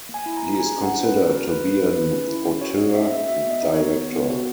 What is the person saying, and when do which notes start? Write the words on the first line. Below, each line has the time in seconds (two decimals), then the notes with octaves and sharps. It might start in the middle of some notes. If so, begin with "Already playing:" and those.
He is considered to be an auteur director.
0.09 A#3
0.14 G#5
0.26 E4
0.37 A#5
0.43 A#3
0.55 A#5
0.59 G#4 G#5
0.77 C#4
0.82 F#5
0.93 E4
1.04 B4
1.09 C#4
1.26 F#4 A#4
1.43 A#3
1.49 B4
1.60 D#4
1.71 B4
1.77 A#3
1.94 G#4 B4
2.11 C#4
2.28 E4
2.45 C#4
2.61 F#4 C#5
2.78 A#3 D#5
2.95 C#4 E5
3.12 A#3 E5
3.28 F#4 E5
3.45 B3
3.51 D#5
3.63 D#4
3.74 C#5
3.79 B3
3.96 B3
4.12 B3
4.30 F#4